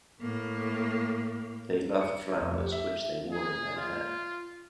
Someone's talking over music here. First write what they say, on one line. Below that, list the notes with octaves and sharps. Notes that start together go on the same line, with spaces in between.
They loved flowers, which they wore in their hair.
A2 A#3
C#7
C#5
F2
G4
E5
G#4
F4